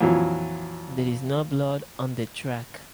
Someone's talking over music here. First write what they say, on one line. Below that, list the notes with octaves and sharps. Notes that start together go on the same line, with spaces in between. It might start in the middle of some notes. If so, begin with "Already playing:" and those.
There is no blood on the track.
F2 A#2 E3 F#3